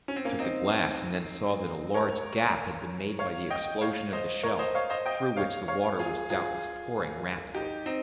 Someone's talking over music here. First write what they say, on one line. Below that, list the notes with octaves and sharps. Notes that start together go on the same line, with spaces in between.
I took the glass, and then saw that a large gap had been made by the explosion of the shell, through which the water was doubtless pouring rapidly.
C#4
C4
A#3 C#4
C4 D#4
A#4 C#5
C#5 F5
D#5 G5
C#5 F5
C5 D#5
A#4 C#5
C5 D#5
C#5 F5
C5 D#5
D#5 G5
C#5 F5
C#5 F5
F4 G#4
F4 G#4
D#4 G4
C4 D#4